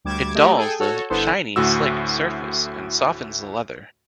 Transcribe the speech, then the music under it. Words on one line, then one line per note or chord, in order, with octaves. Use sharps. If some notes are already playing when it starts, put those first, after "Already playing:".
It dulls the shiny, slick surface and softens the leather.
D2 G3 D6 G#6 E7
A3 G4 D#5
G#4 A4 G5 G#5
F#4 A4 C#5
G1 D3 B3 E4 A4 C5
D2 A2 F#4 E6